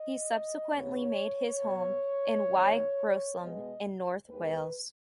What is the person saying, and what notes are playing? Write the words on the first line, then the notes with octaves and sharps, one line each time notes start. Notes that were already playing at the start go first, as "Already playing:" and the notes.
He subsequently made his home in Y Groeslon in North Wales.
Already playing: D#5
D#2 C#3 B3 C#5
B2 F#3 B3
F#2 D#3 G#3 B3
B2 G#3 B3 D#5
D#2 D#3 G#3 B3 B4